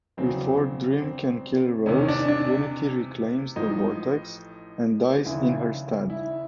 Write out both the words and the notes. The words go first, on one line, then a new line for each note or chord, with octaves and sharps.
Before Dream can kill Rose, Unity reclaims the vortex and dies in her stead.
F1 E2 C#3 F#3 C4
C4
E2 C3 D#3 C#4
D4
D4
A1 A2 F3 D#4
F1 D#2 C#3 E3 E4
E4